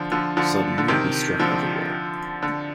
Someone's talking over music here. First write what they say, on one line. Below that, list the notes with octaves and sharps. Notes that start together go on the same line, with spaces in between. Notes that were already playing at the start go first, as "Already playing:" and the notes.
Suddenly we struck everywhere.
Already playing: D3 F3
D3 F3
D3 F3
D3
C3 D#3
D3 F3
D3